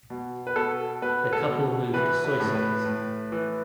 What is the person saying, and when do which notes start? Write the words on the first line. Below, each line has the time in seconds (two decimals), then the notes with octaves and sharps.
The couple moved to Soissons.
0.10 B2
0.47 B4
0.56 B2 A4
1.02 B2 B4
1.33 A4
1.48 B2
1.94 E3 B4
2.25 B4
2.40 A2
2.55 B4
2.86 A2
3.32 E3